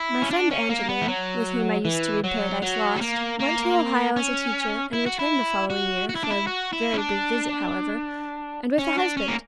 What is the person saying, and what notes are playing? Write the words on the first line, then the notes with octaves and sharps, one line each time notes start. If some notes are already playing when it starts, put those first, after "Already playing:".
My friend Angeline, with whom I used to read "Paradise Lost," went to Ohio as a teacher, and returned the following year, for a very brief visit, however,--and with a husband.
Already playing: E4
C#4
D4
C#4
A#3
B3
E3
F#3
E3
F#3
F#3
G3
A#3
A#3
C#4
E4
F#4
E4
F#4
F#4
E4
D4
E4
F#4
E4
C#4
D4
C#4
D4
C#4
A#3